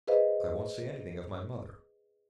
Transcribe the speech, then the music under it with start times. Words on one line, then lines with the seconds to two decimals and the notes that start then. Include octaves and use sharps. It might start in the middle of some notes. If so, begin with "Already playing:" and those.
I won't say anything of my mother!
0.07 G#4 B4 C5 D#5 F5